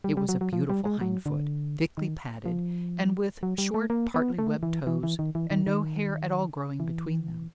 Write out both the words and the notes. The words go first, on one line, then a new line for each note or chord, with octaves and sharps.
It was a beautiful hindfoot, thickly padded, and with short partly webbed toes, and no hair at all growing between them.
G3
G3
F#3
F#3
F3
G3
G#3
F#3
D3
D#3
F3
F#3
G3
A3
A#3
B3
A3
E3
E3
E3
D#3
E3
D#3
D#3
E3